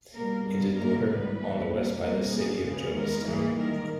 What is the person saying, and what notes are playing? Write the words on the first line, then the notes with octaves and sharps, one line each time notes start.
It is bordered on the west by the city of Johnstown.
B2 G3 A#3 A#4
G2 G3 B3
G#2 D#3 G3 A#3 A#4
G#2 G3 B3 B4
G2 E3 A#3
E2 B2 G3 A#3
E2 B2 G3 A#4
B2 A#3 G#4
C#3 G#3 B3 G#4
E2 D#3 G#3 B3 A#4
G#2 E3 G3 A#3 G#4
G#2 D#3 G3 A#4